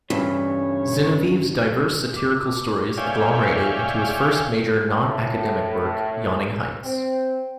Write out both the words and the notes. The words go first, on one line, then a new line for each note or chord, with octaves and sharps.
Zinoviev's diverse satirical stories agglomerated into his first major non-academic work, "Yawning Heights".
G2 C#3 E3 C#5
D6
C#5 D5 E5 F5 G5 G#5
A2
C4